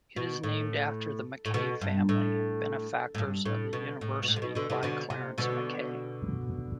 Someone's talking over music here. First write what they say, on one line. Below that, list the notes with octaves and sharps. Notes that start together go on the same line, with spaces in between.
It is named after the Mackay family, benefactors of the university by Clarence Mackay.
B2
A2
A2
B2
G2
A2
A2
G2
A2
B2
A2
B2
A2
C3
B2
B2 D3
C3 E3
B2 D3
C3
B2 D3